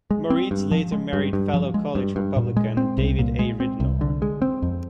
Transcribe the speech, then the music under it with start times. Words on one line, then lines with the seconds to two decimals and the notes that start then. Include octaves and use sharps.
Moritz later married fellow College Republican David A. Ridenour.
0.11 G#3
0.30 C4
0.51 G2
0.71 F3
0.92 G#3
1.13 G2
1.33 G2
1.54 F3
1.74 G#3
1.95 G2
2.16 G2
2.37 A#2
2.57 G#3
2.77 C4
2.98 C2
3.19 A#2
3.39 G#3
3.60 C4
3.80 C2
4.01 D3
4.22 G#3
4.42 C4
4.62 F2